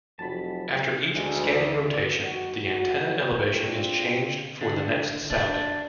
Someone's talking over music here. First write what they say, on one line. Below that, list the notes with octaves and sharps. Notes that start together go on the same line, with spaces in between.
After each scanning rotation, the antenna elevation is changed for the next sounding.
F1 F#3 A5 B5
D2 G#3
D5
D#3 F#4
F#4
A#2 C4 D4 F4
D3
D4